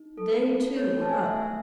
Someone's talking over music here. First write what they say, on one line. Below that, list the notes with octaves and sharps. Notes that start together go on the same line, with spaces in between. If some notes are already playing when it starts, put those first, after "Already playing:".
They, too, were up.
Already playing: D#4
A4
A4 B4
A3 C#5
A5
G#5
F#5
A3 E5